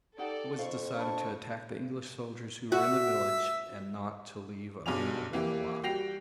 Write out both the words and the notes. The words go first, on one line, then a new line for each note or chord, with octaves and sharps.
It was decided to attack the English soldiers who were in the village and not to leave a man of them alive.
D#4 G4 A4 D5 F#5
F2 F5 C#6
D4 A5 B5
F#4 E5
B1 G2 F#3 G#4 D6 F7
E3 A#3 G4
G3 F#4 G5 A#6 C7 F7